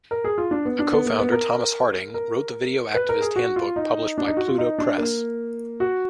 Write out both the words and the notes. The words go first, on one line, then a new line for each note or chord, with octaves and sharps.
A co-founder, Thomas Harding, wrote the video activist handbook published by Pluto Press.
A#4
G#4
F4
D4
B3
D4
B3
A#3
B3
A#4
A#4
B4
A#4
G#4
F#4
F4
D#4
D4
D#4
F#4
F4
D#4
D4
A#3
F#4